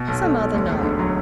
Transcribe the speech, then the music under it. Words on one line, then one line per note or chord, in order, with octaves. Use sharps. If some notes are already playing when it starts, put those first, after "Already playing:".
"Some other night."
Already playing: B2
B1
A3
B1
D2
E1
D3
F#3